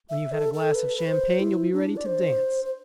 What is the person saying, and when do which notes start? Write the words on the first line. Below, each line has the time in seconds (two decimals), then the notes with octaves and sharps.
When you've had a glass of champagne, you'll be ready to dance.
0.10 E5
0.32 A4
0.54 A4
0.75 B4
0.97 B4
1.07 C5
1.40 E4
1.73 D4
1.96 D5
2.06 C5
2.65 C5